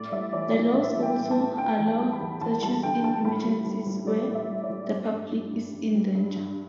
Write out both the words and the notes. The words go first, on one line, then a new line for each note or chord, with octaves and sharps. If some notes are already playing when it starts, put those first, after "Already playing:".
The laws also allow searches in emergencies where the public is in danger.
Already playing: A2 D5
G3 E5
E3 D5
G3 D5
A2 E5
E3
G5
A2
A5
A2
D3 G5
E2
A5
G3
B5
E2
E2 A5
G3 A5
D3 G5
D3 A5
A2 B5
G3
G3
G3
G3 D5
A2
E5
G3
D5
G3
G2
G2
G2
G2
G2
G3
G2
G2